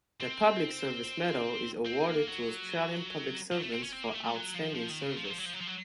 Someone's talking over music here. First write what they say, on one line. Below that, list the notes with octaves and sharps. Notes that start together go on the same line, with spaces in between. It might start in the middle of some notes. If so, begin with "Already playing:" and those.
The Public Service Medal is awarded to Australian public servants for outstanding service.
C4
C4
A#3
F#3
F#3
A3
C4
C#4
C4
A#3
A3
A3
F#3
F3
F3
D#3
C#3
F3
F#3
F3
F#3
F3
F#3
F3
F#3